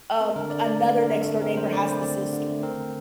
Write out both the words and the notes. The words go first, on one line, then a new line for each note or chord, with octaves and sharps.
um, another next door neighbor has the sister.
C4 A#4
D3 A#4
D3 D5
A3 D5
C4 D5
D3
A#4
D3
A3 A4
C4 A#4
D3 C5
D3 D5
A3 C5
C4 D5
D3
D3
A3
C4 A#4
D3